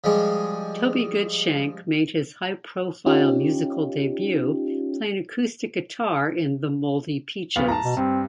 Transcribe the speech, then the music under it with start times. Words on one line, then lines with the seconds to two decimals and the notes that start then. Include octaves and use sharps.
Toby Goodshank made his high-profile musical debut playing acoustic guitar in The Moldy Peaches.
0.04 F3 G3 G#3 G#4
3.06 C#4 D#4 F4 G4
7.56 D1 B3 F5
7.68 A5 A#5
7.83 B2
7.97 G2 C4